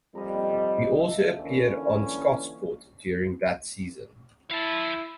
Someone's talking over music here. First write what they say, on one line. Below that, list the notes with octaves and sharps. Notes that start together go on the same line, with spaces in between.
He also appeared on "Scotsport" during that season.
F2 G3 D#5 A#5
E5 F5 A5
A#2 D3 E3 C#4
E4 F5 A5